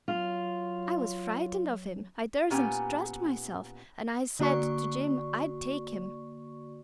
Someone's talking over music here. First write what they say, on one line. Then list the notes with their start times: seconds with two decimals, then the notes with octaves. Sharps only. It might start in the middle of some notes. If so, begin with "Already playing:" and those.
I was frightened of him. I duresn't trust myself, and I said to Jim I'd take him.
0.08 F#3 F4
2.50 A#2 B3 C#4 G4 G#5 A#5
4.39 D3 A#3 F#4 D5 C#6